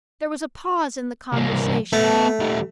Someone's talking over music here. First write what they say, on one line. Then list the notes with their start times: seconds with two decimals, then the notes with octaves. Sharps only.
There was a pause in the conversation.
1.32 C2 A#3
1.93 A3 B3 A5
2.40 D#3 G3